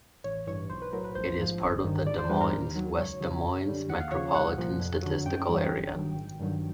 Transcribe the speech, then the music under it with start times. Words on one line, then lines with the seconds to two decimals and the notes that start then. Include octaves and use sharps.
It is part of the Des Moines - West Des Moines Metropolitan Statistical Area.
0.24 A1 C#5
0.47 G2 E3 C#5
0.70 B1 C5
0.82 B4
0.93 A2 F#3 A#4
1.04 B4
1.15 A#1 C5
1.38 G#2 F3
1.61 G1
1.84 G2 D#3
2.06 G#1 D5
2.18 C5
2.29 G2 E3 G3 B4
2.41 A#4
2.52 D#2
2.75 D#3 F#3
2.98 C#2 C#5
3.21 C#3 F#3
3.44 F#2
3.67 D3 G3
3.89 D#2 F#5
4.00 F5
4.11 C#3 F3 C#5
4.35 C2 F#5
4.58 A#2 F3
4.80 F2
5.03 D3 F#3
5.26 F#2 G5
5.49 C#3 E3 G3
5.72 G1
5.95 G2 D#3 F#3
6.17 G#1
6.40 G2 D#3 F#3